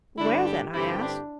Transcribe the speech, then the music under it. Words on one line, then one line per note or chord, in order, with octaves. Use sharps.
"Where then?" I asked.
G2 D3 G3 D4 E4
G4
G2 D3 C4 E4 G4
D4